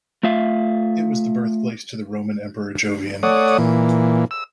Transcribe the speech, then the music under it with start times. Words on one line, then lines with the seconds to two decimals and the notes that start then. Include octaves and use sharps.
It was the birthplace to the Roman Emperor Jovian.
0.23 A3 F4 E5 F5
3.23 A3 C#5 D5 F#5 D#6
3.58 A#2 E3
4.31 E6